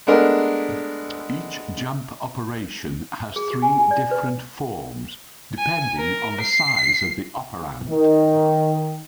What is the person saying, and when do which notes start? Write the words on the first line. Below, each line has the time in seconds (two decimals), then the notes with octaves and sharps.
Each jump operation has three different forms, depending on the size of the operand.
0.07 G#3 A3 B3 D4 A#4
3.36 G#4
3.50 G4
3.62 G#5
3.78 G#5
3.91 D5
4.11 B4
5.58 G#5
5.98 A#4
6.41 C7
7.88 D#3